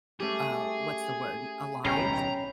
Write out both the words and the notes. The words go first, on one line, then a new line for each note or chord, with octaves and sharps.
uh, what's the word? Alive,
A3 C#4 G4 G#4
D1 B1 C3 C#4 G5 A#5 B5 C7